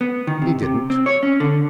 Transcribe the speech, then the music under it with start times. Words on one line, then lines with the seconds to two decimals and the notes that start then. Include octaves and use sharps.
He didn't.
0.01 B3
0.27 D#3
0.42 C3
0.62 C3
0.90 C4
1.06 C#5
1.23 C#4
1.40 D3